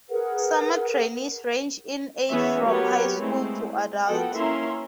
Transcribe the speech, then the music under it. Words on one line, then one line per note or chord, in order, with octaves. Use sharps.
Summer trainees range in age from high school to adult.
G#4 A#4 B4 F#5
E3 B3 C#4 G#4 C#5 E5
F#3 B3 G4 A#4 B4 C#5
G#3 A3 C4 E4
F3 B3 F#4 A4 F#5 G5
A#3 C#4 E4 E5 A#5 C6